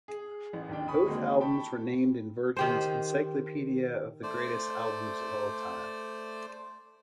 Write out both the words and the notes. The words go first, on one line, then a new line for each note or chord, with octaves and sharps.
Both albums were named in Virgin's "Encyclopaedia of the Greatest Albums of All Time".
G#4
A1
D#2 D#3 D4 G5
G#5 B5 C#6 D#6
D3 D#3 G#3 A#3 C4 F#4
G5 A5 B5 C#6
D#3 G4 C5
A3 C5 D5